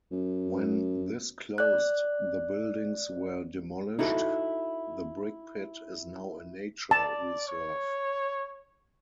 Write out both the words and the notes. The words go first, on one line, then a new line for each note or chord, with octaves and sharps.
When this closed the buildings were demolished; the brickpit is now a nature reserve.
F#2
D5 F#6
D#4 E4 F#4 A4
D5 A5
C#5